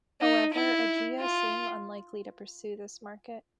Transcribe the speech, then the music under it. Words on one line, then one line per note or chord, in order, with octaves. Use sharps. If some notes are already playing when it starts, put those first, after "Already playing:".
However Ageia seem unlikely to pursue this market.
D#4
E4
F4